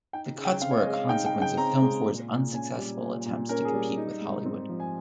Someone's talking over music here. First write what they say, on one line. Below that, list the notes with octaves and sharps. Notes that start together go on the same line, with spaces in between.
The cuts were a consequence of FilmFour's unsuccessful attempts to compete with Hollywood.
D#4 G5
C#3
G5
C4 F5
C#5
D#5
G#3
F5
D#4 G5
G5
C#3
G5
C4 A#5
G#3
A#2
A#2
C#4 G#5
G3
A#2
A#2
C#4 A#4
G#4
G3
D#4
G#2
C4
F3
G#5